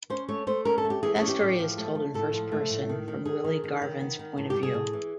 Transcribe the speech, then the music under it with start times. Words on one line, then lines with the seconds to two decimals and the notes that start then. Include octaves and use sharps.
That story is told in first person from Willie Garvin's point of view.
0.10 C#4 C5
0.29 A3 C#5
0.47 A3 C5
0.65 C#4 A#4
0.78 A4
0.85 A3
0.90 G4
1.03 E3 G#4
1.16 G#4
1.21 C#4
1.28 G4
1.41 A2
1.59 F3
1.78 A3
1.95 A3
2.14 A2 A4
2.33 F3
2.52 A3
2.70 A2
2.89 D#3
3.08 D#3
3.25 D#3 G#4
3.44 D#3
3.64 D#3
3.82 D#3
4.01 B3
4.19 D#3
4.37 A2
4.50 G4
4.56 G3
4.63 G#4
4.74 A2
4.93 E3